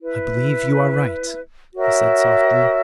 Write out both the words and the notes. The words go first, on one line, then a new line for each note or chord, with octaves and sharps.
"I believe you are right," he said softly.
E4 B4 E5
F#4 A#4 C#5 E5